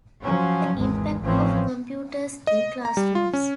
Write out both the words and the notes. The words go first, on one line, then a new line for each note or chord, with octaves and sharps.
The Impact of Computers in Classrooms.
F3 F#3 C#4
G#1 E2 G#3
A1 E3 F3 C4 C#4
D#5
A#5
G3
F4
C#4